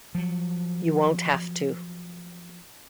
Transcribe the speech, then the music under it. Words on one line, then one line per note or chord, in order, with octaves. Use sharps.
You won't have to.
F3 F#3